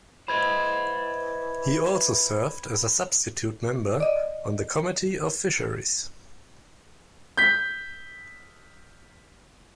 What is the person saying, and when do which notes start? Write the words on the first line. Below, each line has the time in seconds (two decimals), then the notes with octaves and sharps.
He also served as a substitute member on the Committee on Fisheries.
0.28 E3 C5 D#5 B5 G#6
4.00 D5 D#5
7.37 G6 B6